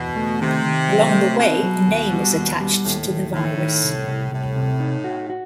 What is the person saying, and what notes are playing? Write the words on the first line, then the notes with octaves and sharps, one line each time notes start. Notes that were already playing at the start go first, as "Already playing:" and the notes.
Along the way, a name is attached to the virus.
Already playing: E2 B2
A3
C3 D#3
D#3
F#3
A3
B2 C4
F#3
D#2
G3
D#2
G3
D#2 A2
D#2
A2 D#3
D#3
C2
C2
C2 A2
C3
D#4
F#4
F#4